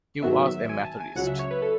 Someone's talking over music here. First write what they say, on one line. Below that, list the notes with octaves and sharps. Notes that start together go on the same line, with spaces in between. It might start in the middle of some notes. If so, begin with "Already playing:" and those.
He was a Methodist.
G#2 D#3 F#3 B3 E5
E5
G#5
A5
G#5
C#2 C#3 F#3 F#5
E5
C#5
B4
A4